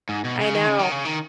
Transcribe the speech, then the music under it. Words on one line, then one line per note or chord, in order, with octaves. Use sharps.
I know.
G#2
B2
C#3
D#3
C#3
D#3
C#3
D#3